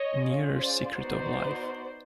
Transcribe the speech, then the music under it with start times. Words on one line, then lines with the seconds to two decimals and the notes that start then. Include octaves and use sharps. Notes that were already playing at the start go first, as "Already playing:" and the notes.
Nearer Secret of Life.
Already playing: C#5 D#5
0.15 C#4 F4 G#4
0.56 C5 D5
0.97 B3 D#4 F#4 C5 D5